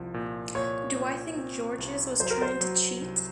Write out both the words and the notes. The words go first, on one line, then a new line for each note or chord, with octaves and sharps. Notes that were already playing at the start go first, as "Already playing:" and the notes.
Do I think Georges was trying to cheat?
Already playing: C2 F3
A#2
A#2 C#5
A#2
C4
C2
F#3 C5
A#4
C5
F#3
C2